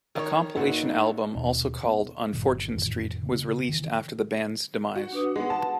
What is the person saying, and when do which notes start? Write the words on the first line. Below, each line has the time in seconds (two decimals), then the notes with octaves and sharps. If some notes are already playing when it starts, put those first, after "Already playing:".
A compilation album, also called "On Fortune Street", was released after the band's demise.
0.15 D#3 C#5
0.56 G#1 A#3 D#4 B4 F#5
1.35 D#2 B2
1.84 B3
2.33 G1 G2 A#2 D#3
2.75 F2 A2 D#3 E3
3.23 C#3 A#3
3.69 D#3 E3
4.96 F#4
5.13 D4 B4 D#6
5.36 G#3 B3 F#5
5.50 A5